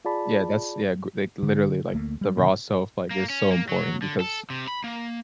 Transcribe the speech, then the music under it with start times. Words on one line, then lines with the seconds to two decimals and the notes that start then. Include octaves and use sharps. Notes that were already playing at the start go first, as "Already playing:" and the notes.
Yeah, that's yeah, g like, literally, like, the raw self, like, is so important because,
0.05 F4 G#4 D5 A5 B5
1.43 D3
1.94 D2 A3 A#3
2.21 G3
2.37 B2 D3 D#3 A#3
3.11 A#3
3.30 C#4
3.51 A#3
3.69 F#3
4.02 D3
4.20 A4
4.50 C3
4.68 B5
4.84 A#3